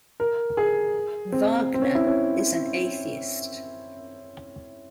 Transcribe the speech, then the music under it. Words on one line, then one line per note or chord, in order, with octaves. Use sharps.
Wagner is an atheist.
A#4
G#4
C4
C4
C#4
E4
C#4